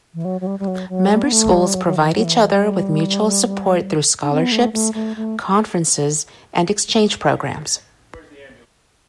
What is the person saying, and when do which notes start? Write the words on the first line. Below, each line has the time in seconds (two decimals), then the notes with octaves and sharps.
Member schools provide each other with mutual support through scholarships, conferences, and exchange programs.
0.14 E3
0.25 F#3
0.41 F#3
0.47 G3
0.59 G3
0.67 F#3
0.89 F#3
1.10 G3
1.23 B3
1.32 A3
1.53 G3
1.74 F#3
1.86 F#3
1.96 E3
2.15 F#3
2.24 E3
2.53 G3
4.23 D4
4.32 C4
4.42 B3
4.52 A3
4.73 A3
4.94 A3
5.16 A3